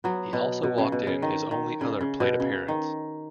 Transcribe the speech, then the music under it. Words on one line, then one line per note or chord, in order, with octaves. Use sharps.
He also walked in his only other plate appearance.
F#3 B3
B2
B2
C#3
B2
C#3
D#3
D#3
C#3
C#3
B2
C#3
D#3